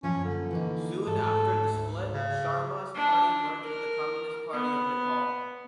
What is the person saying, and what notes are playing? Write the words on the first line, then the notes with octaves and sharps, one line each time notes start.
Soon after the split Sharma's party merged with the Communist Party of Nepal.
F#2 A#2 F3 C#4
D3
E3 A#3 D#4
G#2 A3 A4
D2
C#3
D4
A#4
B3